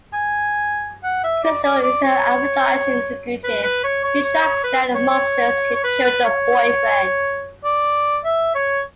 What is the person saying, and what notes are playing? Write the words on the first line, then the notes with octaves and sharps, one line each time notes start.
Crystal is an advertising executive who tracks down the mobsters who killed her boyfriend.
G#5
F#5
E5
D5
D5
D5
C#5
B4
B4
C#5
C#5
C#5
C#5
B4
C#5
C#5
C#5
B4
B4
C#5
D5
E5
C#5